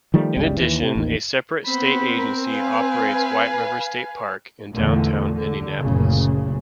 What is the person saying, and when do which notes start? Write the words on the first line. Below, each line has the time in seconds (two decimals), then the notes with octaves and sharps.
In addition, a separate state agency operates White River State Park in downtown Indianapolis.
0.14 D#3 F3 G3 A3
0.37 G1 C#2 C#3 G3
0.57 D#2 E3
0.83 C3
0.95 A1 D#2 D#3
1.67 B3 C4 C5 B5
2.16 A#4
2.49 B4 F5 G#5
4.73 E2 A#2 D3 A3
5.33 D3
5.79 F#1 D2 A#2 C#3